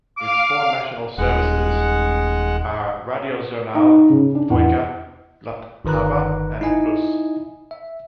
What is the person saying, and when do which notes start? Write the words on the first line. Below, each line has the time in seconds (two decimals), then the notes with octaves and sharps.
Its four national services are Radiožurnál, Dvojka, Vltava and Plus.
0.17 F5 D6
1.18 D#1 G#3 F#5
3.75 D#4
4.10 C#3
4.35 D4
4.50 E2
5.85 G1 D#3 B4 A#5 F#6
6.61 D#4 E4 D#5 G#5
7.71 E5